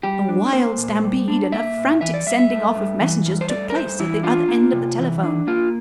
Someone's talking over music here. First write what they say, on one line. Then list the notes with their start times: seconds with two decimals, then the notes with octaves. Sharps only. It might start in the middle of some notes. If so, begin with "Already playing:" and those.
A wild stampede and a frantic sending-off of messengers took place at the other end of the telephone.
0.03 G3 G4
0.28 D4
0.53 A#3 C5
0.78 A#2
1.03 G3
1.28 D4
1.52 A#3 E5
1.77 A#2
2.01 E3 E5
2.14 D5
2.27 G2 E5
2.38 E5
2.51 A3
2.75 G2
3.00 E3
3.26 G2
3.41 C5
3.50 A3 D5
3.70 A#4
3.74 G2 C5
3.99 E3 E4
4.23 D4 F4
4.48 A#3
4.73 C3
4.98 E3
5.23 D4
5.47 A#3 F4